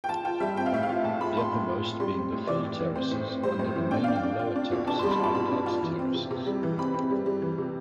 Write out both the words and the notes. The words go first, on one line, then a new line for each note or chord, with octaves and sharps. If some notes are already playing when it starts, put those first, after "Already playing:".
The uppermost being the fill terraces and the remaining lower terraces are cut terraces.
G5
F4 A5
F4 G5
G3 E5
C4 G5
F5
A2 E5
F5
F4
A2 A5
F4 B5
F4 C6
A2
F4
A2
G3 C6
C4
A2
E3 D5
A2
E3
C4 C5
A2
C4
G3 C5
A2 C5
E3
D4 G5
D4 F5
G5
D4
F4
D4
B2
D4 A5
G3 C6
B5
F4 A5
B2 B5
D4
F4
E3
C4
C3
C3
G3
E3
C4 B5
C4
G3
G3
E3
C3